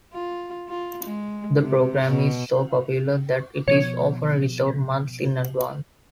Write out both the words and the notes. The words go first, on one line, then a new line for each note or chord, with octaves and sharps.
The program is so popular that it is often reserved months in advance.
F4
F4
G#3
C3
B2
B2 F3 B3 C#5